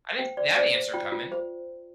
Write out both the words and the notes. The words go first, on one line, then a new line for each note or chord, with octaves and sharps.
I didn't see that answer coming.
C5 G5
C5 D5
C5 D5
C5
F4 G5
F4
C5